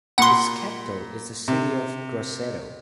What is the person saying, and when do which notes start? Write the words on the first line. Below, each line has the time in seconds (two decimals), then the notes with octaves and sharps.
Its capital is the city of Grosseto.
0.18 A#2 F#5 B5 C6
1.48 C3